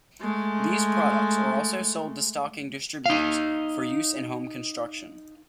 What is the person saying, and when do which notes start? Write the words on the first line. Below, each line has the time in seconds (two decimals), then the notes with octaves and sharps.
These products are also sold to stocking distributors for use in home construction.
0.20 G#3 A3
3.06 D#4 F5